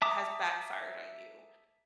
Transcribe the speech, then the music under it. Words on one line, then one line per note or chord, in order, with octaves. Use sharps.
has backfired on you?
E5 A5 A#5 D6 D#6